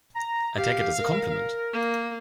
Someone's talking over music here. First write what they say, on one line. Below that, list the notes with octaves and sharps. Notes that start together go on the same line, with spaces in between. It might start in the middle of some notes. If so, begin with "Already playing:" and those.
I take it as a compliment.
A#5
G4 F5
A#4
A#3